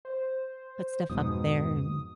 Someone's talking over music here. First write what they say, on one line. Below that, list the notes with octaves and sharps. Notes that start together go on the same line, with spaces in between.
put stuff up there and,
C5
F2 G#2 B2 D#6